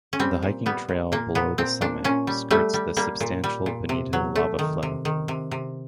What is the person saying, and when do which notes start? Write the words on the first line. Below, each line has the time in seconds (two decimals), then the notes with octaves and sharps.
The hiking trail below the summit skirts the substantial Bonito Lava Flow.
0.13 C#4
0.19 G3 C4
0.43 A#2
0.66 G3 B3
0.89 A#2
1.12 A#2 A#3
1.35 A#2 B3
1.58 A#2 C4
1.81 A#2 D4
2.04 A#2 C#4
2.27 G3
2.50 G3 A3
2.74 G3
2.97 G3 A#3
3.20 A#2
3.44 G3
3.66 A#2
3.89 C3
4.13 F#3
4.36 A3
4.59 D#3
4.83 C3
5.05 D#3
5.28 C3
5.51 C3